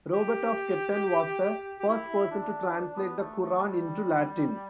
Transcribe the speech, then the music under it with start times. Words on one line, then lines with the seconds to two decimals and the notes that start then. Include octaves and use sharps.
Robert of Ketton was the first person to translate the Qur'an into Latin.
0.13 G4
1.79 G4
1.88 E4
2.31 D4
2.75 D4
2.97 B3
3.19 A3
3.40 A3
3.59 A3
3.62 G3